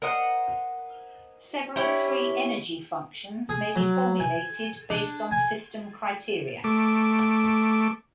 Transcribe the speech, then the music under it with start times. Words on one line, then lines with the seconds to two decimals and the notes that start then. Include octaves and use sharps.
Several free energy functions may be formulated based on system criteria.
0.02 A#4 C5 D#5 F#5
1.76 C#4 E4 G4
3.49 G#4
3.76 F#3
4.20 G#5
4.90 D4
5.31 G#5
6.64 A3 D6